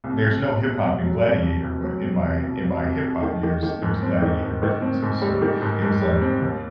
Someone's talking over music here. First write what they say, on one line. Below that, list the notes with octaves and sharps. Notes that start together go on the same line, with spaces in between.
there's no hip-hop in Gladiator, but in my in my hip-hop, there's there's Gladiator references, so it was like
C2
C2
C2
B2
B2
F#3
C2
C2
C2
F#3
B2
C2
C2
C2
C2
C2
D#3
D#3
D#3
G#2
C4
D#3
G#2
D#3
C4
G#2
G3
D#3
G#2
G#2
G3
C4
D#2